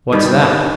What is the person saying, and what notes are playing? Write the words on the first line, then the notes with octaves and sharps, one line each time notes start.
"What's that?"
G2 D#3 G3